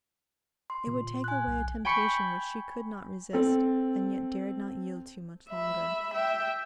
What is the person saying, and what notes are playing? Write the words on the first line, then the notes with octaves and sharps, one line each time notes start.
It would take away a temptation which she could not resist, and yet dared not yield to much longer.
C6
A#2
G#5 F#6
B1
G5 G#5 B5 C#6 C#7
C4 A4
E5 B5
E5 G5